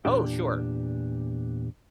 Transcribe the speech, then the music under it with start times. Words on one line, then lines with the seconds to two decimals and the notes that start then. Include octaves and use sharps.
Oh, sure.
0.05 E2 A#2 D4 G4